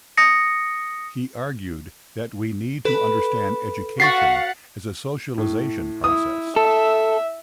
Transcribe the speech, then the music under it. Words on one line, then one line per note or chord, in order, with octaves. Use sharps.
He argued that we need to understand "education" as a socialization process.
D#6 A#6 C#7
A4 B4
F#4 F5 F#5 C#6 A6 B6 C7
A2
E4 D#6
A4 E5